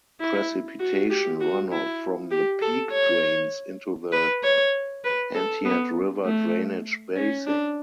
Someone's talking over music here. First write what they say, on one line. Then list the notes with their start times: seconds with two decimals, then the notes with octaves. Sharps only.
Precipitation runoff from the peak drains into the Entiat River drainage basin.
0.20 E4
0.80 F#4
1.10 G4
1.41 F#4
1.72 E4
2.31 G4
2.62 A4
2.92 C#5
4.12 B4
4.44 C#5
5.04 B4
5.35 A4
5.65 B3
6.25 A3
7.16 C#4
7.47 D4